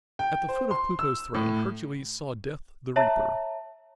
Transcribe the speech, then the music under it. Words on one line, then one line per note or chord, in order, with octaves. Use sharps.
At the foot of Pluto's throne Hercules saw Death the Reaper.
G5
C5
C6
E6
A2
C#5 E5 A5 A#5